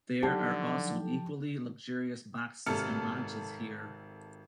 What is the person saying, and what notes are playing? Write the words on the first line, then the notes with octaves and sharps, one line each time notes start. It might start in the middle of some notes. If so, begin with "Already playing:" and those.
There are also equally luxurious boxes and lodges here.
D3 F3 F#3 D#4 G4 A4 A5
G#1 C3 A4 F6 C#7